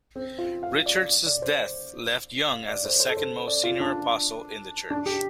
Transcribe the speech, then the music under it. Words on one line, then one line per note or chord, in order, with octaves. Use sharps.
Richards's death left Young as the second-most senior apostle in the church.
C4
F4
F5
D5
D5
C5
F5
D5
C5
C5
A4
C5
D5
F4
D4
D4
G4